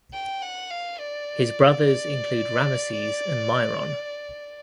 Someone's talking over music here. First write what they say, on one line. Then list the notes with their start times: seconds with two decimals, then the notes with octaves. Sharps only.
His brothers include Rameses and Myron.
0.13 G5
0.42 F#5
0.71 F5
0.99 D5